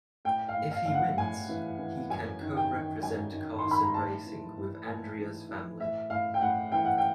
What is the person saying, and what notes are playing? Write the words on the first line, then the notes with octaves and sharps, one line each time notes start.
If he wins, he can co-represent Carson Racing with Andrea's family.
A2 G5
F5
A2
F5
A2 F5
F#5
A2 G#5
E3
E3
F#2 G#5
D#3
G5
D#3
F#2 G#5
D#3
D#3 C6
B5
A#5
A2 A5
E3
E3
A2 G#5
E3
E3
A2 E5
A2 F5
G5
A2 F#5
E3 G5
F#5
G5